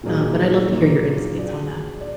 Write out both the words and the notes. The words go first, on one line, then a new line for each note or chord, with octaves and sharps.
um, but I'd love to hear your insights on that.
A#2 F#3 A#3 D#4 G#4
A#2 F#3 A#3 D#4 G#4
F#3 D4 G#4 D5
D5